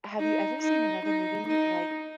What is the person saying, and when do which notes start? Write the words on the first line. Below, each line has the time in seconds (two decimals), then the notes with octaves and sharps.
have you ever seen another movie like
0.19 D#4
0.62 D#4
1.05 D#4
1.47 D#4